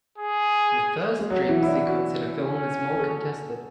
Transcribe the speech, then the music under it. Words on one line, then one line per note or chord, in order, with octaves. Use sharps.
The first dream sequence in a film is more contested.
G#4
G#3
F#3
F#3
E3
E4
D4
F#4
C#4
A4
G#4